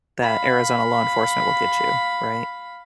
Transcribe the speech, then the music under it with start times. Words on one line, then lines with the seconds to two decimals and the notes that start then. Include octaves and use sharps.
that Arizona law enforcement will get you, right?
0.22 F5 B5